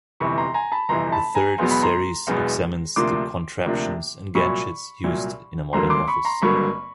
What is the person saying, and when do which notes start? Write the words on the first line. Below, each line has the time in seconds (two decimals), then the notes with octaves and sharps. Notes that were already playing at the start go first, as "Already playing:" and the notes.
The third series examines the contraptions and gadgets used in a modern office.
0.20 G1 F2 C3 E3 B5 C#6
0.38 A#5 C6
0.54 G#5 A#5
0.72 A5 B5
0.89 G1 F2 C3 E3 A#5 C6
1.12 A5 B5
1.35 G#5 A#5
1.58 E1 E2 B2 F#3 B3 C6
1.71 B5
1.83 A#5 C6
2.27 E1 E2 B2 F#3 B3
2.96 D2 C3 F3 A#3 D4 C6 D6
3.66 D2 C3 F3 A#3 D4
4.35 C2 A#2 F#3 B5 C#6
5.04 C2 A#2 F#3
5.73 G#1 G2 D3 F#3 A#3 A#5 C6
5.90 C6 D6
6.08 B5 C#6
6.25 A#5 C6
6.42 G#1 G2 D3 F#3 A#3 B5 C#6